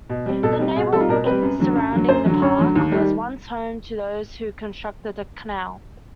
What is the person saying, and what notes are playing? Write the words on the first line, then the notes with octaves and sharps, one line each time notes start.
The neighbourhood surrounding the park was once home to those who constructed the canal.
B2
G3 C4
B2 A4
G3 C4
B2 G#4
G3 C4 A4
F4
B2 A#4
G3 C4 B4
F#2
D3 F#3
F#2
D3 F#3
F#2 C5
D3 F#3
F#2 C#5
D3 F#3
D#2
G3
D#3